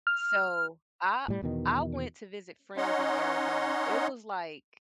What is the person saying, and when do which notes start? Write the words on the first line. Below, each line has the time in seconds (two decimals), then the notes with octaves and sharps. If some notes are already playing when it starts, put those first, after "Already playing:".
So, I I went to visit friends in Arizona, it was, like
0.07 F6
1.28 A2 G3
1.43 E2 B2 D#3
2.77 C#4 D#4 C#5 D#5 F#5 C6